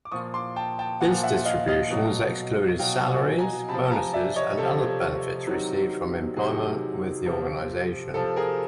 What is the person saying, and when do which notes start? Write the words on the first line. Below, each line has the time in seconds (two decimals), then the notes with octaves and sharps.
These distributions excluded salaries, bonuses, and other benefits received from employment with the organization.
0.05 D6
0.12 A#2 F3 C#6 D#6
0.34 C6 D6
0.56 G5 A5
0.79 G5 A5
1.01 A#2 F3 F#5 G#5
1.23 E5 F#5
1.45 D#5 F5
1.68 D#5 F5
1.90 B2 F#3
2.79 B2 F#3 F5 G5
3.09 F#5 G#5
3.38 G#5 A#5
3.69 C3 A5 B5
3.74 F3
3.86 A5
3.91 G#5 A#5
4.13 D5 E5
4.36 C#5 D#5
4.57 C3 F3 A4
5.47 C3 D#3 F#3
6.36 C3 D#3 F#3 G#4
7.26 C3 F3
8.14 C3 F3 A4
8.36 G#4 A#4